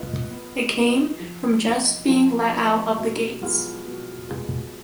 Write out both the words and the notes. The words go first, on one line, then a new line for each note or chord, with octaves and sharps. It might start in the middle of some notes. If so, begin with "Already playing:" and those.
It came from just being let out of the gates.
Already playing: B3 F4 B4 D#5
B3
F4 B4 D#5
F3
B3 D#4
F3
B3 D#4
B2
G#3 B3 F4 G#4
B2
G#3 B3 F4 G#4